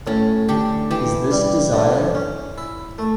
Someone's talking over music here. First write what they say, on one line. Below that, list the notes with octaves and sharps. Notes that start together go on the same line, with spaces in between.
Is This Desire?
A2 C#4
D3 G4
E3 G4
G3
D3
C#4
E4
A3